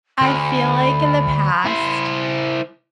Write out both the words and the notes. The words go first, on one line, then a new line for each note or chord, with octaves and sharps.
I feel like in the past,
D2 B5
E4 C5